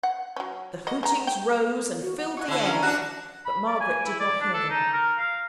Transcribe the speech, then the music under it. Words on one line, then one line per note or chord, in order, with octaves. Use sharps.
The hootings rose and filled the air,--but Margaret did not hear them.
F#5
F#3 C#4
A#3 F#4 D#5
G#3 B3 A#5
G5
F#4
F#5
F4 F#5 G#5 C#6
D3 E4 A5
C#4 F#4 A#4
D4 F#4 F#5
B5
D5
G#5
E4
D5
D4
A4
D#4
A#4
F5